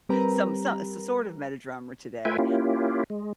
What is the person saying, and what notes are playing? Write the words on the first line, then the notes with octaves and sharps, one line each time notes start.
Some so s sort of met a drummer today,
G3 C4 G4 A#4 B4 A#5
A3 F4 B4 E5 G5 G#5
A#3 C#4 E4 F4 G4
G#3